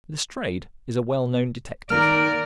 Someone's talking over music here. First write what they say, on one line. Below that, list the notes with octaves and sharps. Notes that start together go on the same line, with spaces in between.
Lestrade is a well-known detective.
D#3 A#3 A#4 D5 F6